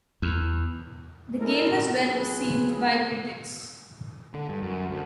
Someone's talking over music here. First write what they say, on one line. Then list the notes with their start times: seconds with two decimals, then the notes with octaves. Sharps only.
The game was well received by critics.
0.22 E2
1.40 G#3 C#4 D#4 E4 A4 A#4
1.97 B1 C4 F4 G#4 B4
4.34 D3
4.49 G2
4.62 F#2
4.90 D2